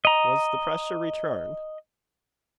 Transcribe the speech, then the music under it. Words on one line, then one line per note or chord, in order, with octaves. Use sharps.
Was the pressure returned?
D#5 A#5